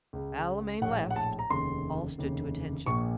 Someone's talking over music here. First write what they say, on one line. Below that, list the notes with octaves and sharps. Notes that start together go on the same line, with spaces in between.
"A la main left." All stood to attention.
C#2 C#3
A#1 A2 F#5
F#5
A5
A#5
F1 D#2 C#3 C6
F1 D#2 C#3
A#1 A#2 C#6